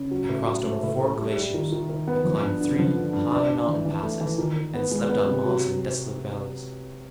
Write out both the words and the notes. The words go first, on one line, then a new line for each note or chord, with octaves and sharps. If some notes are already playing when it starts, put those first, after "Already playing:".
I crossed over four glaciers; I climbed three high mountain passes, and slept on moss in desolate valleys.
Already playing: C#3
F#3
A2
F#3
A3
A2
A3
G3
G3
D#3
D#3
D#3
B3
F3
G2
D3
F3
D3
G2
D4
D4
E3
E3
A3
E3
D#3
D#3
B3
G#3
B3
C3
F#3